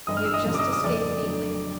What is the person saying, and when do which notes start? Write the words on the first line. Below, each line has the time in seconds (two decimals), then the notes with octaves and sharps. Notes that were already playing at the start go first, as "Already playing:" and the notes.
He had just escaped neatly.
0.07 G1 D#5 D#6
0.17 F6
0.25 E6
0.34 D#5 D#6
0.46 F#2 C#3 F#3
0.55 D6
0.59 D#5 D#6
0.73 D#6
0.84 F2 D5 D6
1.23 D3 F#3 A3